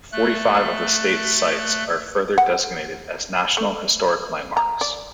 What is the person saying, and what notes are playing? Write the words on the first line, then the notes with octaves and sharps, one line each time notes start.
Forty-five of the state's sites are further designated as National Historic Landmarks.
A3 F#6
F#5
A3
A#5
D5